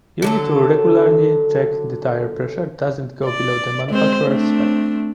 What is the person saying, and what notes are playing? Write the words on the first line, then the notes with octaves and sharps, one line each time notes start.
You need to regularly check the tire pressure doesn't go below the manufacturer's spec.
D3 F#3 A4
D5
G#3 C4 C5
A3 C4 D4